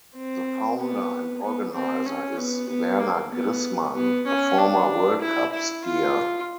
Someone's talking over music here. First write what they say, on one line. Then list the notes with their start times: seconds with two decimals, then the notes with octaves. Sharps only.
The founder and organiser is Werner Grissmann, a former World Cup skier.
0.16 C4
0.79 B3
1.42 B3
1.74 C4
2.06 C#4
2.37 B3
2.69 B3
3.00 A#3
3.32 B3
3.94 B3
4.27 C#4
4.58 D4
5.21 E4
5.52 E4
5.84 F4